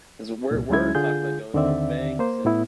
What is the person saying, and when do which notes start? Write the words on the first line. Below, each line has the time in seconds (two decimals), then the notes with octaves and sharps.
because we're we're talking about going through banks and
0.51 C2 A#2
0.70 D2 F#3 G#3 C#4 E4 G#6
0.95 D3 F4 G#4 G6
1.54 D#2 D3 D#3 C4 D5 E5
2.19 A#3 C5
2.45 A2 B3 E4